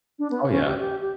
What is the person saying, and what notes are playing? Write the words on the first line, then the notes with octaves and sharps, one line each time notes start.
Oh yeah.
D4
B3
C#4
G4
G4
G4